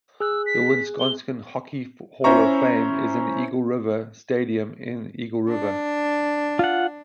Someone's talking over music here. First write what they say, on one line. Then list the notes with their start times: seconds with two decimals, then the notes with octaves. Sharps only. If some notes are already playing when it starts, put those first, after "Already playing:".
The Wisconsin Hockey Hall of Fame is in Eagle River Stadium in Eagle River.
0.20 G#4 E6 F#6
0.46 B6
1.00 G7
2.24 C#4 E4 C5 E5 A#5 C#6
5.49 D4
6.59 F4 F#5